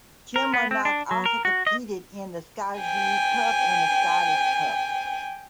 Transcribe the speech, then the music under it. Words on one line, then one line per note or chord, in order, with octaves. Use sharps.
Kilmarnock also competed in the Scottish League Cup and the Scottish Cup.
A#4
B3
C4
D4
F#3
A#4
F#4
D#5
G5 G#5